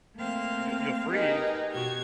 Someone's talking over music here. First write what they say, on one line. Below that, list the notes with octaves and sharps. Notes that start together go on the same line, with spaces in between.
you’ll you'll freeze.
A3 A#3 C4 F5
D#4 G4 G#4 A#4 B4 D#5
B2 F#4 G4 G#6